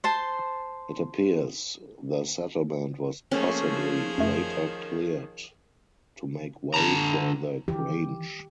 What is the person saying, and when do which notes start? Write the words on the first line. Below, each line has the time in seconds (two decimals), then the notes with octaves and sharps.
It appears the settlement was possibly later cleared to make way for the grange.
0.04 C5 A5 C6
3.32 F3 A3 A#3 C#4 G#4
4.18 F#2 D#3 A3
6.74 D3 A5 A#5
7.68 D#3 E3 G4